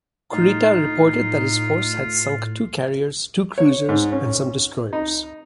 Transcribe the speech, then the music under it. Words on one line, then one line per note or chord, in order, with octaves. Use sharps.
Kurita reported that his force had sunk two carriers, two cruisers, and some destroyers.
A2 D#4 F4
C#5
G#2
C#4
D#4